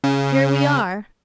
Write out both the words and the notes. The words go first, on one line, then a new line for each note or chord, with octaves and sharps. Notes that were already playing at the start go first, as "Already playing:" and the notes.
Here we are!
C#3